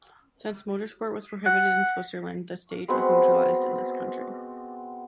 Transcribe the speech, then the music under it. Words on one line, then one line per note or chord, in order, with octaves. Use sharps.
Since motor sport was prohibited in Switzerland, the stage was neutralized in this country.
F#5
G#3 B3 C4 F#4